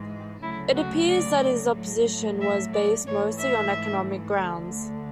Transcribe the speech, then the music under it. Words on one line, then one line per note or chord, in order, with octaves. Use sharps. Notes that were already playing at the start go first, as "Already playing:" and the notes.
It appears that his opposition was based mostly on economic grounds.
Already playing: G#2 E3 G#3
D2 C#3 F#3 A3 E4
F#4
D5
A2 F#3 A3
E5
D5
G#2 E3 A3 C#5
E5
D2 D3 A3